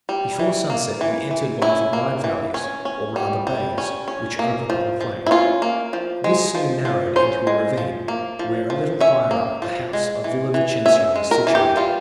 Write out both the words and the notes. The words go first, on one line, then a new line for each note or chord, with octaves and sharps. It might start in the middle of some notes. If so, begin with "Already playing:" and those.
Before sunset we entered one of the wide valleys, or rather bays, which open on the plain: this soon narrowed into a ravine, where a little higher up the house of Villa Vicencio is situated.
G3
E3
A#3
E3
E3
C#4 E4
A#3
E3
C#4
C#4
G3
G3
C#4
C#4
A#3
F3
F3
E4
C#4 F4
A#3
F3
G#3
F3
F3
C#4 C5
G#3
F3
A#3
F3
F3
C#4 E5
A#3
F3
G#3
E3
E3
C#4 E5
G#3
A#4
E3
G4
G3 F4